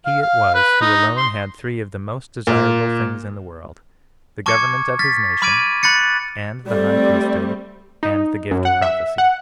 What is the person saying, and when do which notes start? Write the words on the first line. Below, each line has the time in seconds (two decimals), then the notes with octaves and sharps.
He it was who alone had three of the most desirable things in the world,--the government of his nation, and the high priesthood, and the gift of prophecy.
0.05 F5
0.22 F5
0.55 B4
0.81 D#4
1.17 C6
2.47 A#2
4.46 A5 C#6 D6 F6 G#6 C#7
4.99 F6 A6 B6
5.42 B5 D6 F6 G#6 D7 D#7
5.83 B5 F#6 A6 C#7
6.67 G3 A3 C4 D5
8.03 D#4
8.51 F#2
8.65 F#5
8.82 E5
9.18 F#5